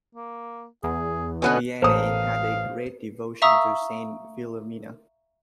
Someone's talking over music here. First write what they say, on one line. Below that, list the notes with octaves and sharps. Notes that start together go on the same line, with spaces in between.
Vianney had a great devotion to Saint Philomena.
A#3
E2 G#4
B2 D3 B3 C#4 B4 D#5 F#5
A1 A4 A#4 C5 F5 D#6
E5 F5 A#5 C#6 D#6 E6